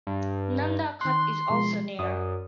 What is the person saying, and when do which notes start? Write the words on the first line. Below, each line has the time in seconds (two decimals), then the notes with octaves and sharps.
Nanda Khat is also near.
0.07 G2
1.01 D#3 C6 F#6
1.50 B2 F3 G#3
1.99 F#2 D5 D#6